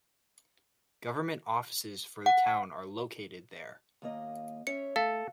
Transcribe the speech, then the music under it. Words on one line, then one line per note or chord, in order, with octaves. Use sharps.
Government offices for the town are located there.
F#5
D#2 A#3 D#5
C#4 C#5 E5 C#7
A3 A4 F5